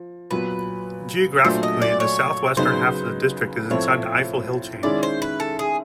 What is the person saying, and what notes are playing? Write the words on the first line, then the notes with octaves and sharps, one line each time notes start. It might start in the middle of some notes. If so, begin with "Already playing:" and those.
Geographically, the south-western half of the district is inside the Eifel hill chain.
Already playing: F3
A#2 F#3 B3 B4
A#2 F#3 A3 D4 C5
D#5
D5
C#5
C#3 F#3 B3 D#4 C5
A2 F3 A3 C4 C#5
D#3 G#3 C#4 E4 D5
C5
B4
A4
G#4